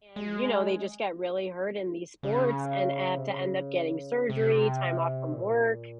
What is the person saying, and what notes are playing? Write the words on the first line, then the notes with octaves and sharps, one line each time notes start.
and, you know, they just get really hurt in these sports and have to end up getting surgery, time off from work,
G#3
C#3
C3
C#3
C3
A#2